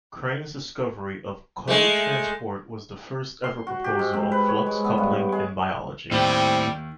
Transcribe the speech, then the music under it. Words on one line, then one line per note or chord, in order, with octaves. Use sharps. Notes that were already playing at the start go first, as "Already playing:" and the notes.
Crane's discovery of cotransport was the first ever proposal of flux coupling in biology.
G#3 A3
C6
F#4
G4
G#2
C4
B4
C#5
G#3
B3
G2
G#3
D#2 A2 G3 C4